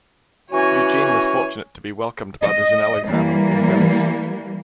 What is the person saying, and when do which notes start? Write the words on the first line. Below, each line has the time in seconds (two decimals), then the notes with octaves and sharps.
Eugene was fortunate to be welcomed by the Zinelli family in Venice.
0.51 E3 C#4 F#4 C#5 G#5
2.42 D#5
3.06 E3 G3 A#3